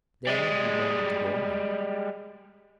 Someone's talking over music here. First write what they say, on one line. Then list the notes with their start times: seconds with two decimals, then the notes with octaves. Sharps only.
Then he wanted to go on.
0.27 G3 G#3